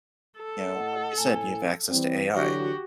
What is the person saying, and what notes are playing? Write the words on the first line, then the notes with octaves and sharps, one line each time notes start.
you know, like you said, you have access to AI.
A4
A2 D#5 F#5
A2 G#5
E3 G3 C4
D3 E3 F#3 F#4 G4